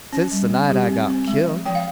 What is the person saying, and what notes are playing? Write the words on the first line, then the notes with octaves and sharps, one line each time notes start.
"Since the night I got killed."
C#4
G3
C4
G3 G4
C4
C4
G#3
F3
F3 G5
F5